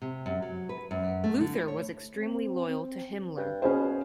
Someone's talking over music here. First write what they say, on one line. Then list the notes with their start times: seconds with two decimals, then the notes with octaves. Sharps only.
Luther was extremely loyal to Himmler.
0.02 C3
0.26 F#2
0.42 F#3
0.69 B4
0.91 F#2
1.24 A3
1.41 D3
1.56 E4
1.68 C#5
2.17 C4
2.66 C4
3.37 G2
3.62 B2 C#4 G#4 C5